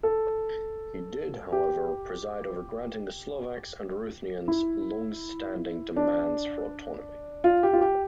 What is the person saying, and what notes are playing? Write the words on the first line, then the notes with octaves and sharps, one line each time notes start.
He did, however, preside over granting the Slovaks and Ruthenians' longstanding demands for autonomy.
A4
G4
E4
D4
F4
G4
F4
G4